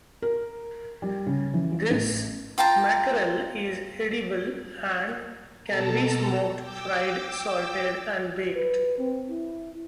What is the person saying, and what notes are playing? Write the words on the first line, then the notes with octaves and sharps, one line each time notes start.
This mackerel is edible and can be smoked, fried, salted, and baked.
A#4
G3
C#3
E3
A1
F4 G5 A5 A#5
B2 A4 A5 A#5
G5 D6 E6
B4
C4
E4